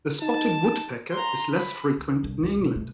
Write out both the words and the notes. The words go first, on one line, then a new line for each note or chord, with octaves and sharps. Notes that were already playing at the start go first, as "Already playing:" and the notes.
The spotted woodpecker is less frequent in England.
D#4 A5
A#5 C6
B5
C#2
C2 D3
C#2 E3
B2 G#3
B2 A3